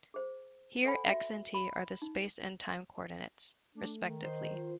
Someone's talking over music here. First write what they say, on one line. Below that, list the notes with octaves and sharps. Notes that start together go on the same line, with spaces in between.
Here x and t are the space and time coordinates, respectively.
G#4 C5
A4 C5 D5 F#5 G#5 B5
F#4 E5
B5
D#4
A3 D4
D#3
C5 D#5
F4